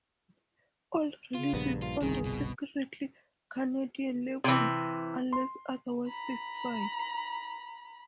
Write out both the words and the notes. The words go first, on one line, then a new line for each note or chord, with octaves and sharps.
All releases on the Secretly Canadian label, unless otherwise specified.
C#3 F4
A#1 G2 B3
F4
G1 C2 D#3 G#4
B2
C3 E3
C6
A#5 B5